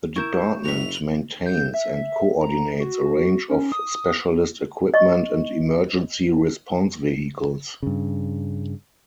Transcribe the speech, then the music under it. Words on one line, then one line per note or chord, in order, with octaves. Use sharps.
The Department maintains and coordinates a range of specialist equipment and emergency response vehicles.
E4 A#4 C#6 G6 E7
F#1 F#4 E5 F7
G6
E5
A#5
F#4
C#4
D#6
D#5 C#6
G2 C#3